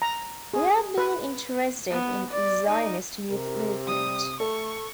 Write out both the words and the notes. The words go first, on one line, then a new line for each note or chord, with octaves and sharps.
He had been interested in the Zionist youth movement.
A#5
G#4
B4
B3
D5
D#4
C3 A#4
G3 D#6
A3 A4 C#6